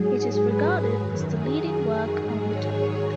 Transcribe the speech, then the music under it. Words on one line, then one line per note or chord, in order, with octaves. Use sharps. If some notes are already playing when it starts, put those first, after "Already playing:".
It is regarded as the leading work on the topic.
Already playing: G#2 F#3 G#4
G#4
B4
F#2 D#3 F#3
G#4
G#2 D#3 F#3 G#4
C#5